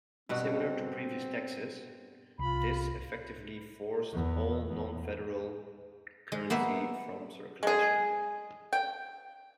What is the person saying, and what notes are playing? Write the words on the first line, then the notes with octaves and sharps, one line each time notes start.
Similar to previous taxes, this effectively forced all non-federal currency from circulation.
G2 B2 C4 F#4
C2 F4 B5
E2
E2
G#3
A#3 B3 C5 E5
G#3 G#4
G5